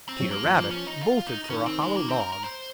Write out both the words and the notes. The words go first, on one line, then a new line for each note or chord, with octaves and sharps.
Peter Rabbit bolted for a hollow log.
C4
F#3
A#3
F3
F3 A#3
C#4
D#4
F4
D#4
D#4
D#3 C#4
C4
G#3
A#3
C4
A#4
A#4
C5